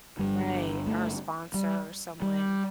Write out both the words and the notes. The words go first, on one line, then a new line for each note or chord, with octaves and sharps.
Right. Or a sponsor or someone.
G1 G2 D3 G3
A3
G3
G3